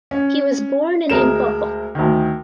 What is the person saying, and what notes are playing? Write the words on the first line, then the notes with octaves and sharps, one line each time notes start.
He was born in Limpopo.
C#4
D2 G#3 A#4 E7
D2 D#3